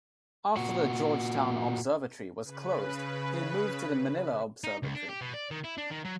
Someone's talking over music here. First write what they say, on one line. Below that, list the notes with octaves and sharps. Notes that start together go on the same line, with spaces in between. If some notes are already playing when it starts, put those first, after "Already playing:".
After the Georgetown Observatory was closed he moved to the Manila Observatory.
A#2 F#4
C#3 B4
D#4
C#2
D4
G4
B2
D5
D#3
E4
D4
D#3
F#3